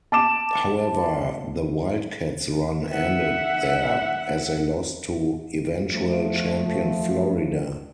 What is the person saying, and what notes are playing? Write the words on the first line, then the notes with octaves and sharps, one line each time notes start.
However, the Wildcats run ended there, as they lost to eventual champion Florida.
A5 D6 E7
E5 F#5
F3 A3